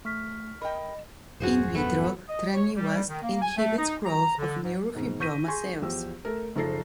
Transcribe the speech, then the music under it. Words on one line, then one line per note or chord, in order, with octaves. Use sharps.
In vitro, tranilast, inhibits growth of neurofibroma cells.
A3 C#6 F6 B6
A#4 D#5 G5 B5
D#1 F#2 F#4 G#4 C5
A3 B3
D#5
C#5
G3
D#3
A#3
G#5
A3
D#4
A#5
D3
G#2
G#2 B2 D#3
C#6 G6 A#6 B6 D#7
G#4 G#5 C6 C#6
E2 F3 G4 E6
A3 A4 A#4
F#1 F3 D#4 A4 A#6 C7